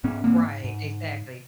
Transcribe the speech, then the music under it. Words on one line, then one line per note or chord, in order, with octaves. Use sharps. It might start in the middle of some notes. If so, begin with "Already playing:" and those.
Right, exactly.
G#2 B3 C#4
A#3 C4
G#2